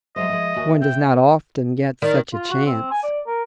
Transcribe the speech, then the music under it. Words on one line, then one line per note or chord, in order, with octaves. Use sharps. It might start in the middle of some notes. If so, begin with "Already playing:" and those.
One does not often get such a chance.
F#3 G#3 C5 D#5 E5
D3 F3 G#3
D#2 F#4 G#5
C4 G5
D#3 D5
F4
F#4
C4
G#5
D5
A#4